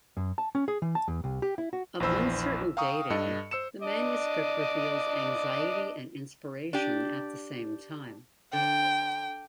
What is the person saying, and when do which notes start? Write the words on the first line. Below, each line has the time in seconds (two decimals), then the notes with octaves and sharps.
Of uncertain dating, the manuscript reveals anxiety and inspiration at the same time.
0.17 F#2
0.38 A5
0.55 C#4
0.68 G#4
0.82 E3
0.95 A5
1.08 E2
1.24 C2
1.42 G4
1.58 E4
1.73 F#4
2.00 A#1 E2 E3 C5 B5 E6
2.77 F5 G5 A#5 C#6 D#6
3.10 G2 A4 D#5 C#7
3.51 C5 E6 C#7 E7
3.82 D4 D#5 D6
6.73 D4 G4
8.53 D3 G5